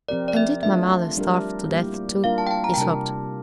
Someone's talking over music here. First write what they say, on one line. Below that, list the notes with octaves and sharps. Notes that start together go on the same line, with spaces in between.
"And did my mother starve to death too?" he sobbed.
F3 C4 G4 A#4 D5
D5
E5
A3 D4 F4 E5
G3 D4 G4 A#4
G3 A#3 E4 G4
G3 A#3 D4 F4 A#4 F5
A5
G5
A5
A#5
G5
C3 G3 D4 G4 A#4 A5